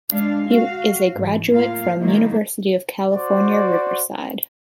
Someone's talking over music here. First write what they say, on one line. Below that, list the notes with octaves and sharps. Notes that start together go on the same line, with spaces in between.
He is a graduate from University of California Riverside.
G#3 D4 F5
F#4 F5
G#2 E3
A2 A#3 F4 F5
D#3 F#3 G#3 A#3 E4
F#4 C5 D5